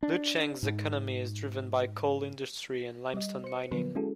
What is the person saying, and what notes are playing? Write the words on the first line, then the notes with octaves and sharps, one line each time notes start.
Lucheng's economy is driven by coal industry and limestone mining.
D4
G#2
G3 D#5
C5 C#7
D3 F3 F#3 B3 B4
G#3 C#4 E4 F#4 G#4 A4